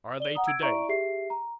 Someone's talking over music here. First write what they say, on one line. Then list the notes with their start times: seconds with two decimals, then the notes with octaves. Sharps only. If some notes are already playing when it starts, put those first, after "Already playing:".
Are they to-day?
0.20 D5 G7
0.35 F#5 A#5 D#6
0.47 E6 G#6 D7
0.62 E4 D5 E5 A#5 C#6 D7
0.89 G4 G#4 E5 C7
1.30 A#5